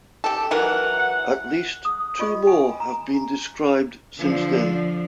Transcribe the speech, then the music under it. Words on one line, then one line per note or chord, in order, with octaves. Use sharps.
At least two more have been described since then.
G4 A4
E3 F#3 A#4 F#5
F#5
D#6
F4 D#5 C#6
G#5
A#5
D3 F3 D4